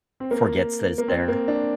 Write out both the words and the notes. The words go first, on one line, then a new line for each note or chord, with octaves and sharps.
Forgets that it's there.
C4
A#3
A#3
C4
A#3
D4